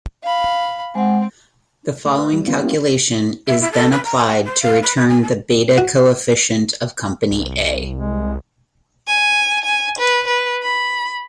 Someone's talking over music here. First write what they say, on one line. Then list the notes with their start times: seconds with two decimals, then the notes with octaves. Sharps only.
The following calculation is then applied to return the beta coefficient of company A.
0.23 F5 B5
0.95 G#3 C4 F#5
2.05 A3
2.19 B4
2.33 G3
2.47 B3 C#4 F4
2.62 A#3 C#4 E4 F4 G4
3.47 E5
3.61 E4
3.72 A4
3.91 B4
4.03 A#5
4.27 F#5
4.44 C5
4.62 F5
4.82 B4
4.96 B4
5.08 G#5
5.22 A5
5.78 F#4
7.31 C2
7.95 G#3
9.07 G#5
9.65 G#5
9.98 B4
10.27 B4
10.63 B5